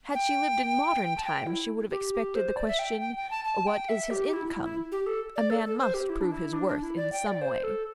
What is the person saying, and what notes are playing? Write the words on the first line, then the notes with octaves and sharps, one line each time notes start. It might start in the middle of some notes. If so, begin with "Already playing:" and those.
Had she lived in modern times she would have expected the question, "What is his income?" A man must prove his worth in some way.
G5
A5
G5
E4
G4
G4
C5
D5
E5
G5
G5
G5
A5
A5
G5
E5
G4
G4
E4
E4
E4
G4
A4
D5
A4
A4
C5
G4
E4
D4
E4
D4
D4
E4
D5
G5
D5
C5
A4